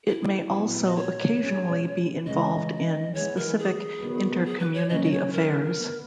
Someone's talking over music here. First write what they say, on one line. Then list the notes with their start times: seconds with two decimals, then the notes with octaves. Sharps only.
It may also occasionally be involved in specific inter-community affairs.
0.09 E4
0.52 A#2 F#3 B3
0.85 D#5
0.96 C#5
1.39 B2 G#3 C#4
2.26 C#3 E3 G#3 C#4 D#5
3.14 E3 G#3 B3 C#5
3.37 A#4
3.59 G#4
4.01 D#3 F#3 B3
4.45 G#4
4.59 B4
4.74 C#5
4.89 C#3 F#3 A#3 C#4 D#5
5.04 D#5
5.11 C#5
5.33 A#4
5.76 B3